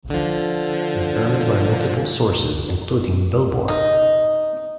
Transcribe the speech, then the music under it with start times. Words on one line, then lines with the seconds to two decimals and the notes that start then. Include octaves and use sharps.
Confirmed by multiple sources including "Billboard".
0.10 D3 F3
3.68 D#4